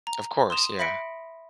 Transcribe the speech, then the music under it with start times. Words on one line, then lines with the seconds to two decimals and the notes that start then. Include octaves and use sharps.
Of course, yeah.
0.07 A#5
0.50 C6 D#6 E7 F7
0.79 E5 B5 A#6 B6 C#7 D7